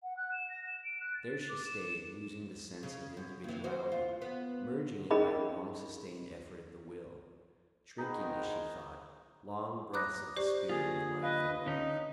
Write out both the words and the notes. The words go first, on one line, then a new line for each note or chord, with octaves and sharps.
There she stayed, losing the sense of individuality, merging it by a long sustained effort of the will, drinking, as she thought, long breaths of the spirit of life and love....
F#5
F#6
E7
A#6
E7
D7
F#6
A6
A6
D6
E7
C#3
F#2
D#2 E3
F#4 C5
F4
B3
C#4 D#4 G#4 A#4 D#5 B5
G#2 D#3 D#4 G#4 B4
A#5 B5 D6 D#6 F#6 A#6
G4 C5 D5 C#6
D3 A#3 F4 G#4
B4 D#5 F5
D3 C#4 D#4